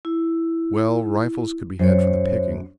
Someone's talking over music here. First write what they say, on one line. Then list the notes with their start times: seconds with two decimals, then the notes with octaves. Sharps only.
Well, rifles could be had for the picking.
0.05 E4
1.79 F#2 C5 C#5